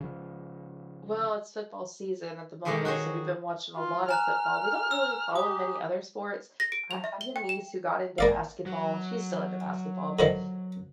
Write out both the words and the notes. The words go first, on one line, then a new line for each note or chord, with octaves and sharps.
Well, it's football season at the moment, so we've been watching a lot of football. We don't really follow many other sports. I have a niece who got into basketball. She's still into basketball, but
C#3 F3
B2 D#3 G#3 A3 G4 G#4
F#4 G#4 C5 C#5
F4
G#5 A#5 F6 F#6
E6
G4 D#6
A#6
D7
F7
E5
G7
G5
E7
A#3 D5 F5
F#3
D3 D#3 F3